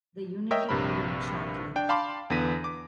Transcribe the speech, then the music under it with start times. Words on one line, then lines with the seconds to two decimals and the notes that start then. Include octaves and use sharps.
The unity proved short-lived.
0.51 A#4 C#5 D#5 E5 G5
0.69 A#1 G2 C3 A#4 B5
1.76 D4 G5
1.89 F5 A5 B5 C6 D6
2.30 E2 D3 B3 A#6 B6 D#7
2.64 D6